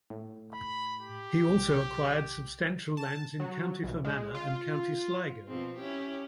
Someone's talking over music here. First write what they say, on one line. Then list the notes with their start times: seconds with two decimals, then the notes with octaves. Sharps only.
He also acquired substantial lands in County Fermanagh and County Sligo.
0.10 A2
0.54 B5
1.01 G4
1.49 B1
2.97 A5
3.40 F#3
3.83 B1
4.04 G#3
4.35 F4
5.48 B2 F3 C4
5.78 C#4 E4 G4